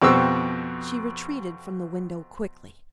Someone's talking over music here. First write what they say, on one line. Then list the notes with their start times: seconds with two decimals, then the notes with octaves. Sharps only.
She retreated from the window quickly.
0.02 F2 B2 B3 C4 G4 E6